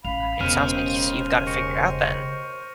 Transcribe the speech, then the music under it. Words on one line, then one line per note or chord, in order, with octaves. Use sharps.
I mean, it sounds like you see you've gotta figure out then.
A1 F5 B5 F7
E1 D#2 C#3 C5 F6 D#7
C#6 A#6 C#7